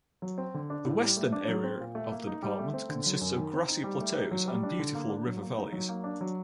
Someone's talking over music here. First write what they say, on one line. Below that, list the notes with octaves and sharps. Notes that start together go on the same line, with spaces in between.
The western area of the department consists of grassy plateaus and beautiful river valleys.
F#3
C4
D3
D4
A2
G3
A3
D4
F#3
C4
A#2
A3
A#3
D#4
G3
A3
C4
D3
F#3
F#2
D#3
C4
D#4
G3
A3
D#4
F#3
G3
D4
D3
A#3
D4
F#3
A#3
D#4
F#3
A#3
D4
F#3